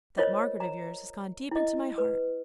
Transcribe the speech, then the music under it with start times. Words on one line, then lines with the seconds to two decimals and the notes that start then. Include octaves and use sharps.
'That Margaret of yours has gone deep into my heart.
0.18 F4 A#4 C5 C#5 D#5
0.60 A#5
1.51 E4 D#5
1.98 B4